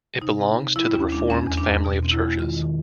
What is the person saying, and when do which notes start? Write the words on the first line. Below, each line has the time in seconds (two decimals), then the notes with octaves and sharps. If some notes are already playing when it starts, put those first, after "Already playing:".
It belongs to the reformed family of churches.
0.21 C3 D#4
0.40 C4
0.58 C3
0.76 F3 E4
0.94 D#2 C#4
1.12 G#3 D4
1.30 E2 C#4
1.48 E2
1.57 D4
1.66 E2
1.85 B2
2.03 C4
2.11 E4
2.21 G#3
2.39 D#3 F4
2.57 D#3